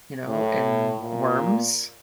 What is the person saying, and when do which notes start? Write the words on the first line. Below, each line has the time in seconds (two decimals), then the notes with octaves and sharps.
you know, and worms.
0.27 A2
1.00 A#2